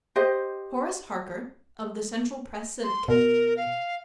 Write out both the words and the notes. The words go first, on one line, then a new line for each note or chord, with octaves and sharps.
Horace Harker, of the Central Press Syndicate.
G4 C5 D#5
C6
B2 A#4
F5